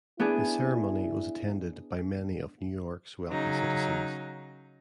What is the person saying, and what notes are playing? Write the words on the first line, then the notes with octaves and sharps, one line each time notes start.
The ceremony was attended by many of New York's wealthy citizens.
B3 D4 E4 G#4
C#3 F#3 D#4